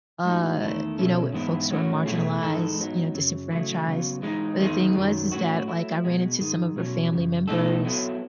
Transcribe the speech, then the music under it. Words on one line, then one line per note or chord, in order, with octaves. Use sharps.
uh, you know, with folks who are marginalized, you know, disenfranchised. But the thing was is that, like, I ran into some of her family members
A2 G#3 D#4 F#4
E2 D#3 A3 E4 A4
B2 F#3 C#4 E4 A4
G#2 E3 B3 E4
A2 F#3 C#4 F#4
B2 A3 E4 G#4
G#2 E3 G#3 D#4 A4
G#2 F#3 B3 D#4
F#2 C#3 F#3
C#3 F#3 A3 E4
C#3 F#3 B3
E3 G#3 D#4
E2 D#3 G#3 D#4 G#4
F#2 D#3 F#3
A2 F#3 C#4 F#4
F#3 A3 E4
B2 G#3 B3
G#2 D#3 G#3
B2 F#3 C#4
F#2 C#3
B2 A3 D#4 A4
F#3 B3 E4 A4